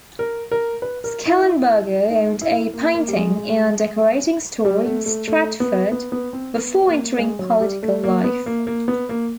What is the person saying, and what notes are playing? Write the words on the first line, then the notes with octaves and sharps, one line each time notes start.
Schellenberger owned a painting and decorating store in Stratford before entering political life.
A#4
A#4
B4
A#4
E4
D#4
E4
A#3
A#3
G3
G#3
G3
A3
A3
A3
B3
B3
B3
C4
B3
A#3
G#3
F#3
G3
A3
A#3
B3
A#3
A#3
B3
A#3